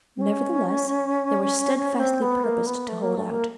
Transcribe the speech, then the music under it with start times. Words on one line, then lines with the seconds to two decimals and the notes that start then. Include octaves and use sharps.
Nevertheless they were steadfastly purposed to hold out.
0.17 C4
0.21 C#4
1.99 C4
2.22 B3
2.44 A#3
2.66 B3
2.88 A3
3.02 A#3
3.17 A3
3.31 A#3